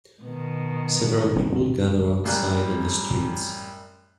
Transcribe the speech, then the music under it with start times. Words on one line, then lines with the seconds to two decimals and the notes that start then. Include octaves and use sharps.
Several people gather outside on the streets.
0.23 B2 D#3
2.24 A1 F#2 G3 F#6